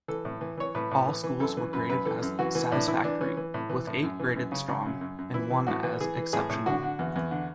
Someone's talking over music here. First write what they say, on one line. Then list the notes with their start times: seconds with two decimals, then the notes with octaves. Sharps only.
All schools were graded as "satisfactory", with eight graded "strong" and one as "exceptional".
0.08 E3 A4
0.25 A2
0.41 E3
0.57 E3 C#5
0.75 A2 B4
0.91 A2
1.07 E3
1.24 E3
1.40 F#2 A4
1.57 E3
1.73 F#2 B4
1.89 F#2 B4
2.05 E3 A4
2.22 F#2
2.39 E3 F#4
2.55 E3
2.71 A2 D4
2.88 E3 E4
3.04 E3 D4
3.21 E3 C#4
3.37 E3
3.54 A2
3.69 E3
3.87 A2
4.03 F#2
4.20 E3
4.36 F#2
4.52 C#3
4.68 C#3
4.86 F#2
5.01 F#2
5.19 F#2
5.34 E3 E4
5.51 E3
5.67 A2 F#4
5.83 E3
6.01 E3 G#4
6.16 E3
6.33 A2 G#4
6.49 A2
6.66 D3 F#4
6.83 D3
6.99 E2
7.16 E2
7.31 D3